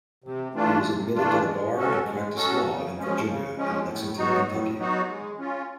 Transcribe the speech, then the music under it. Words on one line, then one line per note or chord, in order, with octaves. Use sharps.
He was admitted to the bar and practiced law in Virginia and Lexington, Kentucky.
C3
E3 A3 D4 F4
C3
E3 A3 D4 F4
G#3
C#4 F#4 A4
G#3
C#4 F#4 A4
C#3
F3 G#3 C#4
C#3
F3 G#3 C#4
A2
F#3 B3 D#4 F#4
A2
F#3 B3 D#4 F#4
G#3
C#4 F4